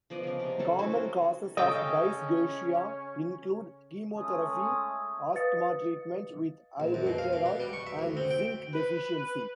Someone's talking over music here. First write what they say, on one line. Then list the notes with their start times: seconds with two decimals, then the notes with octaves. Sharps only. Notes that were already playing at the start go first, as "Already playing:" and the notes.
Common causes of dysgeusia include chemotherapy, asthma treatment with albuterol, and zinc deficiency.
0.10 F3 B3 D5 D#5
0.23 C#3 A#4
0.40 C3
0.59 F#3 C#4 A4
0.79 C4 C#4 E4 F#4
0.92 A4 A#4
1.57 C#3 C#4 A4 D#5 G5
4.17 G#3 A3 C#4 D#6
5.34 B4 D#5 F5 D#6 A6 C#7
6.80 A#1
6.94 F#2
7.07 B2
7.18 F5
7.33 B2
7.46 B3
7.60 G3
7.73 C#6
7.87 E5
7.99 D2
8.17 C4
8.31 G5
8.73 B4